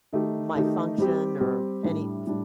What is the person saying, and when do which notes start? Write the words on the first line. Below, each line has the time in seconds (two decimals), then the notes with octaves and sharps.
my function or any p
0.13 D#3 A3 D#4 G4
0.55 D#3 A3 D#4 G4
0.98 G3 C4 G4
1.40 G3 C4 G4
1.84 A2 G3 D4
2.26 A2 G3 D4